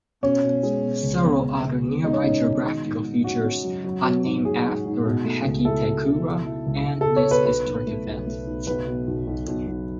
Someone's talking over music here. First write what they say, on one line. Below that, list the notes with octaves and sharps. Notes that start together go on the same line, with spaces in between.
Several other nearby geographical features are named after Hakitekura and this historic event.
B2 C#4
B2
G#3
B2
C#2
B3
C#2
C#2
B3
G#3 D#4
C#4
G#3 D#4
B2
D#3
G#2
G#2
C#4 F#4
C#4
F#3
F#3
F#3
G#2
F#3 G#4
G#2
G#2
B2
A3
C#2
E4 A4
E4
B2
E4
E4
C#2
C#2
B2 A4
C#5
B2
B4
B1 B4
B1
A3
B1
A3
B1
B1 B4
B2
B1
B1
B1
B1